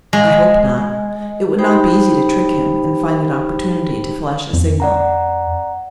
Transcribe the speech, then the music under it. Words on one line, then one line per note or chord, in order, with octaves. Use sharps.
I hoped not: it would not be easy to trick him and find an opportunity to flash a signal.
G#3
D#4 G4 C5 G5 B5
F2
D5 F#5 A#5